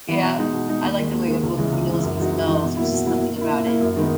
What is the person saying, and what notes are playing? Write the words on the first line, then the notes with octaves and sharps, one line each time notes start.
Yep. I like the way a book feels and smells, there's just something about it.
E3 B3
B2
G#3 D#4
B2
G#3 D#4
D#2
D#3 G#3
D#2
D#3 G#3
C#2
C#3 E3 G#3
C#2
C#3 E3 G#3
F#2
E3 G#3 D#4 F#4
F#2
E3 G#3 D#4 F#4
B2
F#3 A#3 E4
B2
F#3 A#3 E4
A#2
A#3
E4
A#2
A#3 E4
F#2
D#3 G#3 B3 D#4